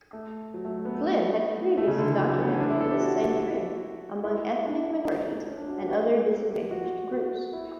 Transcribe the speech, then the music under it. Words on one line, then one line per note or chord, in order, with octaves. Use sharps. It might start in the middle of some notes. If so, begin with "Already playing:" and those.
Flynn had previously documented this same trend among ethnic minorities and other disadvantaged groups.
A3
F#3
A3
B3
A3
B3
A3
C#3
D3
E3
F#3
A3
B3
C#4
D4
E4
A4
G4
F#4
E4
D4
C#4
D4
F#4
G4
B4
A4
G4
F#4
F#4
E4